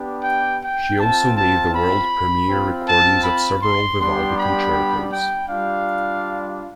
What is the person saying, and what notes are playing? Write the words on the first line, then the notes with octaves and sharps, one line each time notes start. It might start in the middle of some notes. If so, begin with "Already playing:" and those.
She also made the world premiere recordings of several Vivaldi concertos.
Already playing: B3 D4 G4
G5
G5
C4 F4 A5
A5
B5
C4 F4
A5
B5
C6
G3 B3 D4 G4 C6
B5
G5
G3 D4 F4 F5